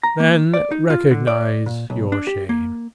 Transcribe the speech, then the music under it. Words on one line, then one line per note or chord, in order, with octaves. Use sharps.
Then recognize your shame.
A#5
A#3
D5
D#4
F4
D3
D5
A#2
B1
D4
G4
A#3